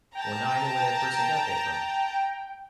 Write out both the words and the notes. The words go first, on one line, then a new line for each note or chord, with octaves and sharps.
Well, now I know where that person got that from.
G5 A5 A#5